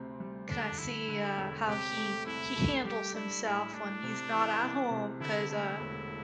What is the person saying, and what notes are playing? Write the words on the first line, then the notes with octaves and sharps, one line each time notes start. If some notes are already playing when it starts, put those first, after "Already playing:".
can, uh, see, uh, how he he handles himself when he's not at home, 'cause, uh,
Already playing: D2 C3 C4
G3
D3 D4
D3 E4
D3
E1
C3 G4
A3
C2 E4
A3
G3 G4
D4 E4
A2 E4
A2 D4
C3
E3
C2
C3
D3 E4
A3 E4
E1